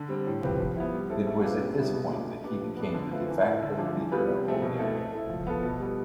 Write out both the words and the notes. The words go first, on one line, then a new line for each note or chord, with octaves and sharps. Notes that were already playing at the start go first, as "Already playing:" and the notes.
It was at this point that he became the "de facto" leader of Bulgaria.
Already playing: D3
G3 C4
A2
F3 C4 G4 B4
F3
B3 E4
G3
C4 E4 A4
A3
D4 F4 B4
C3
G3 B3 E4
B2
A3 D4 F4
A3
D4 G4 B4
F3
B3 D4 A4
D3
A3 C4 F4 B4
E3
A3 E4
D3
F3 A3 D4
E3
G3 B3 F4 B4
C3
F3 A3 C4
B2
A3 C4 E4 A4
A3
E4 A4
F3
B3 F4 A4
B2
G3 B3